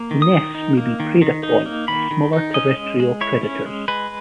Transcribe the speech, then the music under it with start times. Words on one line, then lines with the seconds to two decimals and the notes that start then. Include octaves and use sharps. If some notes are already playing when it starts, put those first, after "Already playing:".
The nests may be preyed upon by smaller terrestrial predators.
Already playing: A#3
0.11 D#3
0.22 D#6
0.32 D#3
0.55 D#4
0.77 A#3
1.00 D#3
1.22 D#3
1.43 D#4
1.66 A#3
1.88 D#3 B5
2.11 D#3
2.33 D#4
2.54 C#4 D#5
2.77 G#3
3.00 G#3
3.21 E4 C#5
3.43 C#4
3.66 G#3
3.88 G#3 B4